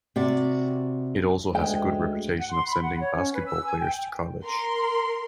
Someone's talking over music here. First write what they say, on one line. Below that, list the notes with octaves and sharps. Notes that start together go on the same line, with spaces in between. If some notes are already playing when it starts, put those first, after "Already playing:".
It also has a good reputation of sending basketball players to college.
C3 F#4 D5
D2 G#3 G5
F#5
C6
B5
F#5
C#5
C#4
B4
E6
G#5
G5
A#4 C6